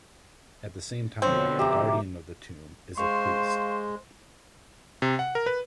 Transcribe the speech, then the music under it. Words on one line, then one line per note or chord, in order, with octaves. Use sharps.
At the same time, the guardian of the tomb is a priest.
B2 D3 F3 C4 C#5
G4 E5 A#5 D6
G#3 C5 F5 C#6
C3
F#5
A#4
B4